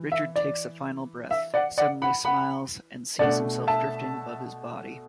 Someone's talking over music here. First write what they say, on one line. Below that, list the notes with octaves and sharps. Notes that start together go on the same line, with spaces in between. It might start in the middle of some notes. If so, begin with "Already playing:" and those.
Richard takes a final breath, suddenly smiles, and sees himself drifting above his body.
Already playing: E3
E5
D5
E5
D5 F#5
D5 F#5
F#5 B5
F#5 B5
B2 A3 D4 D5 F#5
E5 A5